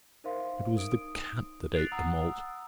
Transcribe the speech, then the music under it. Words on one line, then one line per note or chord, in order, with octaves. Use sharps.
It was the cat that ate the malt.
D#4 A#4 C5 E5 F5 C6
D#4 D#6 D7
F#6 A6 C7 D7 F7 F#7
F#5 A#5 D#6 E6